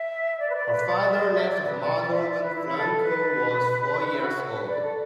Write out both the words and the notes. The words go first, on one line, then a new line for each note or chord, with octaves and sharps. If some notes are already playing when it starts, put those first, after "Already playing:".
Her father left her mother when Frankel was four years old.
Already playing: E5
D5
B4
D5
B4
D5
D5
E5
D5
B4
D5
D5
E5
D5
B4
E4
E4
A4
B4
E4
F#4
B4
B4
D5
A4